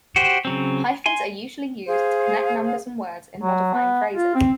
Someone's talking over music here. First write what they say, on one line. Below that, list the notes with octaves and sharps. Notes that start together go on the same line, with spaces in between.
Hyphens are usually used to connect numbers and words in modifying phrases.
F#4 G4 C5
C#3 F#3 C4
G#5 C6
G#4 C5 F5
F#3
B3
F4
C4